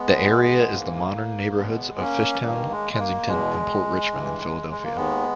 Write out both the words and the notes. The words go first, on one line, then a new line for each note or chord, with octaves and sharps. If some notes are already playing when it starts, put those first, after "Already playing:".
The area is the modern neighborhoods of Fishtown, Kensington, and Port Richmond in Philadelphia.
Already playing: G#3 B3
G#2 E3 A#3
E2 B2 G#3 B3
B3
A#3 C#4
G2 D#3 A#3
G#3
G#3
A#3
E2 B2 G#3
G2 E3
G#3
A#3
D#2 D#3 G#3 B3